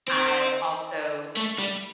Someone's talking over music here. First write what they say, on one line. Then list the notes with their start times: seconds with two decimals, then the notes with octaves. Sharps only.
I also
0.08 C4
1.37 A3
1.58 G3